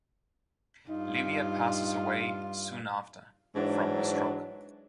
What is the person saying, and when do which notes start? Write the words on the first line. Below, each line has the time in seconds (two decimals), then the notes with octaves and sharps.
Livia passes away soon after from a stroke.
0.89 G2 D#4 F4
3.55 G#2 E3 F#3 D4